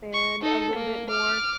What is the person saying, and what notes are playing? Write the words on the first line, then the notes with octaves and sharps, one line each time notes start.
and a little bit more,
C#6
D#4 A4
A#3
D6 F6